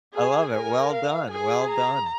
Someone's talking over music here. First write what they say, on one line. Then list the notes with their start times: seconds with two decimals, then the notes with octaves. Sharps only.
I love it. Well done, well done.
0.15 G#4 G#5
0.54 A#4 G#5
0.92 F5
1.31 G#4 G#5
1.70 A#5